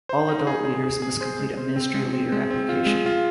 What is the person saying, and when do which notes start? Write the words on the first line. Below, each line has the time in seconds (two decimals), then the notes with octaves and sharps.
All adult leaders must complete a Ministry Leader Application.
0.09 C5
0.28 D#4
0.47 G#4
0.65 G#4
0.83 G#4
1.02 G#4
1.21 C5
1.39 G#3
1.57 C5
1.76 C4
1.94 G#3
2.13 C4
2.32 G#3
2.50 C4
2.69 F4
2.86 G#3
3.06 F4